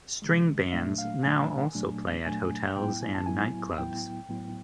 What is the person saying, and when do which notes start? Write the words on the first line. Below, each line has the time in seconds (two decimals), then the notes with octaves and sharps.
String bands now also play at hotels and nightclubs.
0.22 C3 D#3 G#3
0.72 A#2 F#3 A3 D4 E5
0.98 F5
1.23 A#2 F#3 A3 D4 G#5
1.74 A#2 F#3 A3 D4
2.25 A#2 F#3 A3 D4 G#5
2.76 A2 F#3 B3 E4 G5
3.02 G#5
3.14 A5
3.26 A2 F#3 B3 E4 G#5
3.78 A2 F#3 B3 E4 G5
4.28 A2 F#3 B3 E4